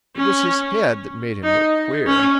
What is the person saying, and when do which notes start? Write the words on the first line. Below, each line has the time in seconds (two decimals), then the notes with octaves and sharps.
It was his head that made him look queer.
0.16 C#4
1.44 D#4
2.07 C#4